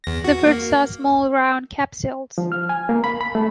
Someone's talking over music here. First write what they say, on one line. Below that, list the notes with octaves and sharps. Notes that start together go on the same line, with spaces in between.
The fruits are small round capsules.
E2 A#6
F#4
A#3
F3
F6
G#5
A#3
B5
B5
A3